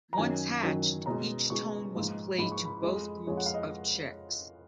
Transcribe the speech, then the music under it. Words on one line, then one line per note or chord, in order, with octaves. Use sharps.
Once hatched, each tone was played to both groups of chicks.
A#5
F#2 D#3 F#3 G#5
F#2 D#3 F#3
B2 G#3 A#5
B2 G#3 C#6
G#2 F3 G#3
G#2 F3 G#3 B5
C#6
B5
F2 F3 G#3
F2 F3 G#3 C#5
F#5
F5
D#5